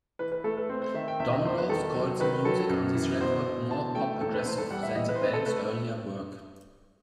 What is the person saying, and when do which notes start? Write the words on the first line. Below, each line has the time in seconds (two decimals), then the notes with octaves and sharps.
Domrose called the music on this record more "pop-aggressive" than the band's earlier work.
0.19 E3 B4
0.32 B4
0.44 A3 A4
0.57 B4
0.70 C4 C5
0.82 C5
0.94 D#3 E5
1.08 G5
1.20 E2 E5
1.33 D#5
1.45 E2 C5
1.58 B4
1.69 D#3 A4
1.95 F#3
2.20 D#3 B4
2.45 F#3 A4
2.70 F#2
2.95 E3
3.21 B2 C5
3.46 B2
3.70 E3 A5
3.95 A3 G5
4.21 E2 A4
4.34 B4
4.46 E2 C5
4.58 A4
4.71 G3 F#5
4.83 E5
4.95 E3 D#5
5.09 B4
5.15 C5
5.21 C4 B4
5.34 A4
5.46 A3 B4